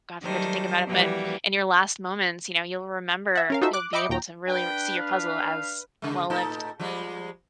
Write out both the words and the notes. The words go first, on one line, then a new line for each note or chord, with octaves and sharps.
god forbid to think about it, but in your last moments, you know, you'll remember, you'll be able to really r see your puzzle as well-lived.
D#3 F#3 G3 A3 C5
E3 F3 G3 A#3 F#4
E5 F#5
C#4 A#4 F5
D#4 F4 F#4 A4 C5 E5
D6 F#6
D#5 E5 G5 B5 D6 C#7
D#2 A#2 G5 A#5
D4 B4 G5
F5
C#3 G#3
A2 D#4 A4
F3 G3 G#3